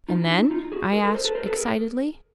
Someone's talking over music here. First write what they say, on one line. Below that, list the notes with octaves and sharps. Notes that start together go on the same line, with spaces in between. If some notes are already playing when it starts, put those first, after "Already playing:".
"And then?" I asked, excitedly.
D#4 F4
D4 E4
D#4 F4
F#4 G#4
G#4 A#4
A4 B4
A#4 C5
A4 B4
A#4 C5
A4 B4
G#4 A#4